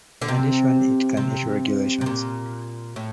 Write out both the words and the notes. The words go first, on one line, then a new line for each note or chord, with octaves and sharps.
In addition, it can issue regulations.
D3
C3
C3
C3
A#2
A2